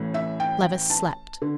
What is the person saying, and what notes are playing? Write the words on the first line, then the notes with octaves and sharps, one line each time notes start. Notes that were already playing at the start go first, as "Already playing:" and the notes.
Levice slept.
Already playing: A1 A2 E3
E5
G5
A5
D3